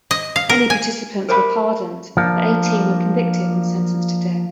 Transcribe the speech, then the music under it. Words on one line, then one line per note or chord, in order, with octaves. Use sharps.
Many participants were pardoned, but eighteen were convicted and sentenced to death.
D#5
F5
A#4
G#5
A#4 C5 D5 E5 A#5 B5
F3 A#3 D4